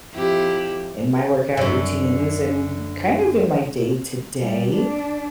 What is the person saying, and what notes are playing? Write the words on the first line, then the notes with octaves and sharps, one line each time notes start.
in my workout routines and kind of in my day-to-day,
F2 E4 G4
F#2 D3
G3
D4